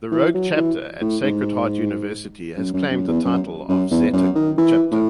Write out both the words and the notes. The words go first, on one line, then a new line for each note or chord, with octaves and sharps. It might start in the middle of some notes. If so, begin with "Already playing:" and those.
The rogue chapter at Sacred Heart University has claimed the title of Zeta Chapter.
E3
F#3
E3
A2
G#2
F#2
F#2
F#2
E2
F#2
F#2
E2
F#2
D#3
E3
A2